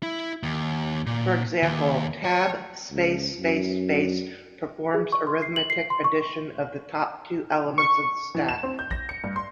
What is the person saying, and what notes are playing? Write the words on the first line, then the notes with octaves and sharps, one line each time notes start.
For example, tab-space-space-space performs arithmetic addition of the top two elements on the stack.
E4
D#2
A#2
D#2
C#5
C#2
F#2
G#4
C#6
C6
C7
F#7
C7
C6
C#6
C#6
E3
E7
C4
G6
A#6
C#7
G2
C6